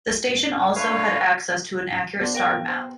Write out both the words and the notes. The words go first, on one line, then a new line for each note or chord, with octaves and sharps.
The station also had access to an accurate star map.
D3 A3 B4 C#5 F5
B3 D4 C5
A#3 B4 G5 A#6
C5